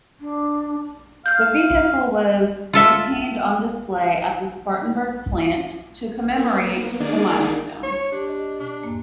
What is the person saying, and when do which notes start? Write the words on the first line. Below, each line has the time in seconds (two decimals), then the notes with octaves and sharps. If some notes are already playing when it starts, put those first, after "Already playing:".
The vehicle was retained on display at the Spartanburg Plant to commemorate the milestone.
0.20 D4
1.26 F5 F6 G6
2.73 F4 A4 E5
6.36 A#3 B3
7.00 D#3 A#3 D4 D#4 G#4 D5
7.83 C#5
8.12 D4 G4
8.27 G4 D#5
8.60 B2 D4
8.83 E2 G#2 A#3